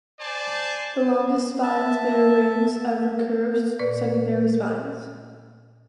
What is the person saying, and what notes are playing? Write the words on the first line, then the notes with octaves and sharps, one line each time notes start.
The longest spines bear rings of recurved secondary spines.
C5 D5 G#5 A5
E5 A5
A#2 B4 D5